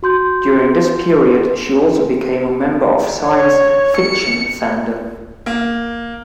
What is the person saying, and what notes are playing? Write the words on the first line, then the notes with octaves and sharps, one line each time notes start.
During this period she also became a member of science fiction fandom.
F#4 C6 G6
C#5
C#7
A#3